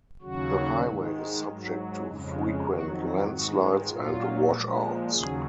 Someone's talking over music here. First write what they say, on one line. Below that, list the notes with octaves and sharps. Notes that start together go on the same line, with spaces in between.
The highway is subject to frequent landslides and washouts.
D#2 C#3 F#3 F#4
G#2 D#3 G#3
G#2 F#3
F2 C#3 G#3 D#4
F4
F2 D#3 F#3 F#4
G#2 D#3 G#3 F#4
A#2 F#3 F4
A#2 F3 G#3
D#2 C#3 F#3 G#4